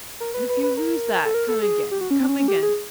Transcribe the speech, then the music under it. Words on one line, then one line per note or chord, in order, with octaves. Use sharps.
"And if you lose that, come again, come again."
A#4
B4
B4
B4
A#4
A4
A#4
A4
G#4
G4
F#4
C#4
C4
C#4
C#4
G4
G#4